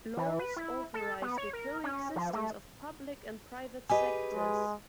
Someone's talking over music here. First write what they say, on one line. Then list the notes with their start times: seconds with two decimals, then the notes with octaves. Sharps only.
Laws authorize the coexistence of public and private sectors.
0.17 E3
0.39 B4
0.56 E4
0.94 A4
1.22 B3
1.38 C#5
1.53 A#4
1.84 C#4
2.16 F3
2.33 A3
3.90 G4 G#4 B4 D#5 G#5
4.35 G#3